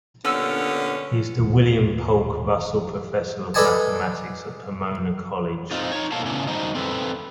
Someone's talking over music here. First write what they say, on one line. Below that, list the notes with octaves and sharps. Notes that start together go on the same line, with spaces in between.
He is the William Polk Russell Professor of Mathematics at Pomona College.
G2 A#2 D3 B3 C#4 E6 F6
D#1 D#2
A4 B4 D5 D#5 G#5 A5
C4 D#4 F4
D#4 C#5
B2 A#3 A4 F5 A5
A2 C#3 B3 C#4 D4 E4
D#3 G3 D#4 F#4 C5 D#5
C4 A4 B4